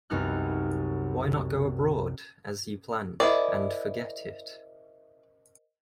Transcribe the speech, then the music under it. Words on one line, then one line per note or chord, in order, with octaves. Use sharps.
Why not go abroad, as you planned, and forget it?
C2 F#2 B3 D#4 F6 F#6
E4 G#4 A#4 C5 D5 D#5